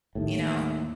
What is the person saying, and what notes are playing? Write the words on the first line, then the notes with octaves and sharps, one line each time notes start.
You know?
D#2 A2